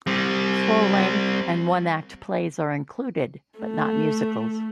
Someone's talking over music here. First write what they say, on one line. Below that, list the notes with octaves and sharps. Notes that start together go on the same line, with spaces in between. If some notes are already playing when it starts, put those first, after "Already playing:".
Full length and one act plays are included but not musicals.
G3 C4
A3